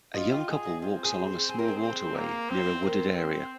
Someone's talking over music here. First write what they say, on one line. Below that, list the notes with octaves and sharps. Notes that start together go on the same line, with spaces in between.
A young couple walks along a small waterway near a wooded area.
F4 D#5
G4
D#4 G#4
D#4
C4 F4
G#4
G#4
A#4
G#4
A#3
C4
C4 A#4
C4